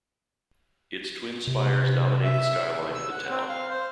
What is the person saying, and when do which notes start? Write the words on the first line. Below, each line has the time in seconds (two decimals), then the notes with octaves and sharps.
Its twin spires dominate the skyline of the town.
1.47 C3
2.23 E5
2.95 E6
3.11 F#5
3.29 C4
3.49 F5
3.69 C5